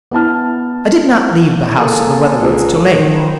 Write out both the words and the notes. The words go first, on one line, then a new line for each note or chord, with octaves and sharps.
I did not leave the house of the Weatherwoods till late.
B3 E4 A5 F6
A#3 G#4 A4
C#2
C#3 A3
D#3
C4 B4